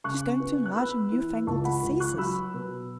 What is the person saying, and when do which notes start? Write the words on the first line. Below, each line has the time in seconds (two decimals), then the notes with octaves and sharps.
She is going to enlarge on new-fangled diseases.
0.04 C#3 C#6 F#6
0.40 B3
0.66 F#6
0.76 B3 B5 E6
1.12 E3
1.47 C#2 A5 C#6
1.65 F#5 B5
1.83 C#2
2.00 C#6 F#6
2.18 F#3 B5 E6
2.54 B2